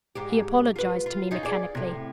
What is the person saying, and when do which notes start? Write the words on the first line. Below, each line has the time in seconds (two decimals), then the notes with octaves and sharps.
He apologized to me mechanically.
0.15 G#2 G4
0.76 F4 B4
1.06 F4
1.31 C#4 D#4 F4
1.43 G#4 D5
1.75 A2 C3